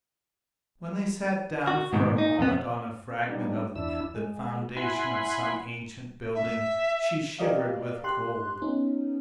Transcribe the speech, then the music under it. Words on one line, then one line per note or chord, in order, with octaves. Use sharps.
When they sat down for a moment on a fragment of the foundation of some ancient building, she shivered with cold.
F#4
G#2 B2 D#3
D#4
F2 A#2 B3
G3 B3 D4 D#4
E2 D4 E4 E6
G#3
E4 F#5 G#5 B5 C6
E5
G4 A#4 D5 D#5 F5
G4 C6 F#6
B3 C#4 D#4